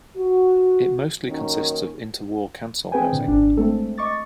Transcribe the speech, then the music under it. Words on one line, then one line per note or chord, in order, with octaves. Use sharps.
It mostly consists of interwar council housing.
F#4
D#3 F#3 A#3 C#4
C4 G#4 B4 G5 G#5
A#2 D3
G#1 D4
G#3 A3 C4 A4
D#5 C#6 D6 A6